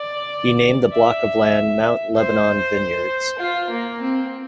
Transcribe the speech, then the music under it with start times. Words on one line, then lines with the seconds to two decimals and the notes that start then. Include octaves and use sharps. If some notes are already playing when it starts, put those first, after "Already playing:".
He named the block of land Mount Lebanon Vineyards.
Already playing: D5
0.93 E5
2.16 C5
3.39 F4
3.70 A#3
4.01 C4